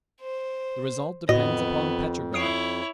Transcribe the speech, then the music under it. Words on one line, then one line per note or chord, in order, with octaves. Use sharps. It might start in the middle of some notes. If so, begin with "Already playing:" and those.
The result depends upon Petrograd.
C5
F2 A2 B3 F#4 D#5
E4 C#5 D#6 C7 D7